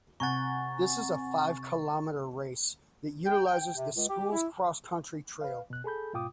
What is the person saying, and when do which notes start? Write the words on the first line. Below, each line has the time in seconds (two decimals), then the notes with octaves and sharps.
This is a five kilometre race that utilises the school's cross country trail.
0.20 C3 F#5 G#5 A#5 C#6 A6
3.25 G5
3.46 G5
3.61 G5
3.75 C3
3.96 C#2
4.08 G4
4.31 E4
5.41 B4 F5
5.70 B2 F#6
5.84 G#4 A4 B5 G6
6.13 G#2 B2 F4 G5 D6 D#6